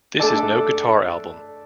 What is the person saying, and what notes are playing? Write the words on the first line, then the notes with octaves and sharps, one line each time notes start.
This is no guitar album.
A3 D4 A4 D5